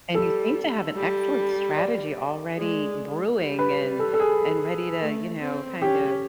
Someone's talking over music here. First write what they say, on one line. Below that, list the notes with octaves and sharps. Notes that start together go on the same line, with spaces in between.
and you seem to have an excellent strategy already brewing and and ready to, you know, kind of
G3 A4
G3
D5
G#3
G3
B4
A4
A4
G#4
A3
C4
C#4 G4